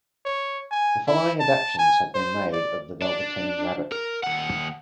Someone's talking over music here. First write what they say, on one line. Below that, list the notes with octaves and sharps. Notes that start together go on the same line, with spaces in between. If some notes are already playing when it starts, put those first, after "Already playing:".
The following adaptations have been made of "The Velveteen Rabbit".
C#5
G#5
E4
A5
G#5
C5
D5
D4
A#4
D#2 F#5